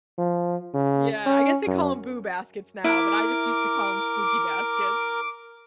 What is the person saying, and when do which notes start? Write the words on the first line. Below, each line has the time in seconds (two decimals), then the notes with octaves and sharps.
Yeah, I guess they call 'em, "Boo Baskets" now, but I just used to call 'em spooky baskets.
0.18 F3
0.74 C#3
1.26 C#4
1.67 F#2
2.84 E4 A#4 D6